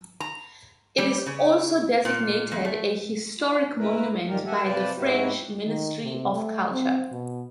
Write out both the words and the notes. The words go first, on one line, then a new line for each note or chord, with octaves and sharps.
It is also designated a historic monument by the French Ministry of Culture.
A#5
G3
C#3
A#2
F2
A3
F4
E4 A#4 B4
D#3 G3 G#3 F4 G4 A#4
G4 A4 A#4 E5 F#5 G#5
C3 F4 B4 D5 G5 A5
G#2 F#3 B3 E4 F#4 G4
D#3
C3
A3
C4
B2